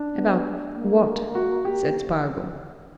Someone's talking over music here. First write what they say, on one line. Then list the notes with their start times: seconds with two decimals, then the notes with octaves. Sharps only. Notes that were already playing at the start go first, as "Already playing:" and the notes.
"About--what?" said Spargo.
Already playing: D4
0.13 B3
0.73 A#3
1.35 F#4
1.65 G4